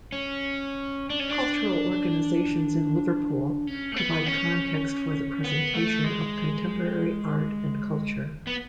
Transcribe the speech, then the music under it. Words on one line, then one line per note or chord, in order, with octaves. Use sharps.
Cultural organisations in Liverpool provide context for the presentation of contemporary art and culture.
C#4
D4
C#4
D4
C#4
A3
B3
C#4
B3
A3
G#3
B3